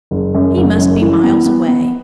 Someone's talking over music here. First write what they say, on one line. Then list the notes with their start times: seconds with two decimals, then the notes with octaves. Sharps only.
He must be miles away.
0.11 F#1
0.35 F#2
0.57 F#1
0.79 F#2
1.02 E3
1.24 B3
1.46 B3
1.68 B3